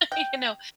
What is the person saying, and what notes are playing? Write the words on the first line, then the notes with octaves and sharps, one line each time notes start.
you know,
G5